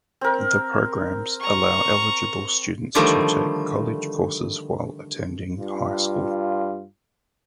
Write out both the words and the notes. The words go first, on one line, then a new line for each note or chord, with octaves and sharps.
The programs allow eligible students to take college courses while attending high school.
C4 A#4
A#5 C#6
D3 D#3 F3 G3 A3
G2 F4